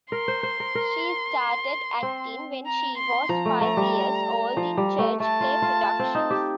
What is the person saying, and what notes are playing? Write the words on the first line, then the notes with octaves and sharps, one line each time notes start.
She started acting when she was five years old in church play productions.
A#4 C6
C5
C5
A#4
A#4
C4
A#5
C6
F3 A#5
A3
A3
G3
F3
G3
A3
A3 A5
F4
F4
C4
D#4
G4